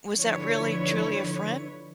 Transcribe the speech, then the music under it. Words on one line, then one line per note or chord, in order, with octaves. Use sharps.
was that really truly a friend,
D3 F3 E4 B4 C#5